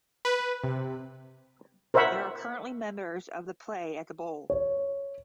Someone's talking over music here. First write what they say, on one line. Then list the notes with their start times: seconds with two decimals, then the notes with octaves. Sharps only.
They are currently members of the and play at The Bowl.
0.25 B4
0.64 C3
1.94 A#4 C5 C#5 E5 F#5 B5
4.50 C#5